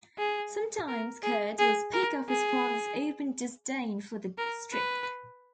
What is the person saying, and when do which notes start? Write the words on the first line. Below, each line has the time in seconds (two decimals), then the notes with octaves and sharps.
Sometimes Kurtz will speak of his father's open disdain for the strip.
0.18 G#4
0.88 A#4
1.23 G#4
1.59 G#4
1.94 A#4
2.29 G#4
4.38 A#4
4.73 B4